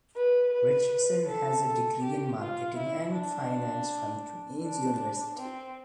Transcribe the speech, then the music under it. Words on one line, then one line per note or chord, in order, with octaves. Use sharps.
Richardson has a degree in marketing and finance from Queen's University.
B4
B4
B4
A4
A4
G4
F4
E4
D4
D4
C4